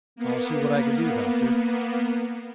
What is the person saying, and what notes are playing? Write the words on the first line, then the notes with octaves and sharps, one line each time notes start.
"I'll see what I can do, Doctor."
A#3 B3